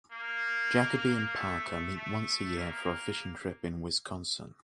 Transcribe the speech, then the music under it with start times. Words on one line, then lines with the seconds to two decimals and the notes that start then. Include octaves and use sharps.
Jacoby and Parker meet once a year for a fishing trip in Wisconsin.
0.12 A#3
1.35 A3
1.96 A3
2.57 A#3